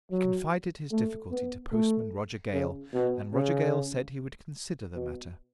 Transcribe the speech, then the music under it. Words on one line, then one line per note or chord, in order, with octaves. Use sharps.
He confided his difficulty to postman Roger Gale, and Roger Gale said he would consider the matter.
F#3
A3
B3
A3
C#3
B2
C#3
B2